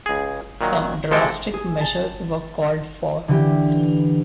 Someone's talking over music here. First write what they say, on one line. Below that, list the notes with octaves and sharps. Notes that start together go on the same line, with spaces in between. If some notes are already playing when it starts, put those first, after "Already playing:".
Some drastic measures were called for.
C#2 G#4
A#2 D#3 F#3
F2 C3 G#3 A4 G5
G#4
A5
D3 E3 G4